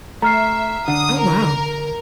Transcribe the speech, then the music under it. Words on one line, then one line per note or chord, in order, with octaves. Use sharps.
Oh, wow.
A3 E5 A#5 F6 C7
D3 D#6
A#4